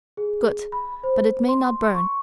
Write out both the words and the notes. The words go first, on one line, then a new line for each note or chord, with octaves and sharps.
Good, but it may not burn.
G#4
B5
C5
C6
C#6